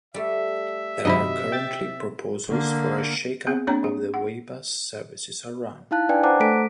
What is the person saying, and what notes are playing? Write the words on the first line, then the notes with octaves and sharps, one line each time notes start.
There are currently proposals for a shake-up of the way bus services are run.
G3 A3 E5
G2 C3 D#3 F#3 D#5 A#5 B5
G5 A6
D3 A#3
B3 C4 G#4
A#3 C4 D4 C#5 A#5
G#4
F#5
D#4 E4 F5 A5 F#6
D4 B4 D5 G5 G#5
C5 F#5 A5 A#5 D6 F#6
A3 A4 B6 D7